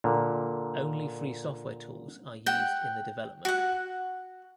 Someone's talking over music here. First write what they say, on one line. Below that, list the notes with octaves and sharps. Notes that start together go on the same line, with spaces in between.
Only free software tools are used in the development.
A#2 D3
F#5 G5
F#4 F#5